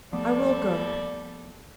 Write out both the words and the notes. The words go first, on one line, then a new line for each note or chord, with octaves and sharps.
'I will go.
D#2 F3 G3 A3 B3 A4 D5